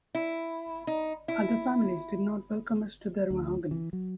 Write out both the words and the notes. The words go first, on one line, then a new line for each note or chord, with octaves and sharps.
Other families did not welcome us to their mahogany.
E4
D#4
E4
D2
E3
F#3